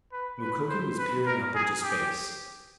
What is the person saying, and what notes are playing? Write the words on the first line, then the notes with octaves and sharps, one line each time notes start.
Mukoki was peering up into space.
B4
B4
C5
B4
A#4
G#4
G4